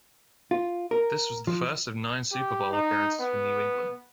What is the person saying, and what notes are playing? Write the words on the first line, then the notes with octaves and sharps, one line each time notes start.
This was the first of nine Super Bowl appearances for New England.
F4
A#4
F3
G4
D#4
B3